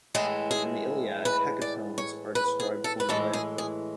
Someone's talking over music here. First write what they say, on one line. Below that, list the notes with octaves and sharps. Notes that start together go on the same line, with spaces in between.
In the Iliad hecatombs are described formulaically.
A2 E3 G#3 G#4
G#4
B4
D5
C#5
B4
G#4
A4
B4
A2 E3 G#3 A4
G#4
G#4